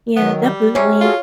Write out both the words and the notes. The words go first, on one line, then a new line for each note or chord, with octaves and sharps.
Yeah, definitely.
D#3 F#3 B3
G3
C3 G#3 C#4 C#5
F4 F#4 G#4 A4